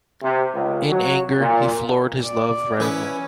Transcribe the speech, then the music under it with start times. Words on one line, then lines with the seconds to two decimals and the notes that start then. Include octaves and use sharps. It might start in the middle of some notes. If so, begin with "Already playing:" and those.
In anger, he floored his love rival.
0.21 C3
0.54 C#2
0.90 F#3
1.38 A#2
2.26 D5
2.80 E3 C#4 B4 D#6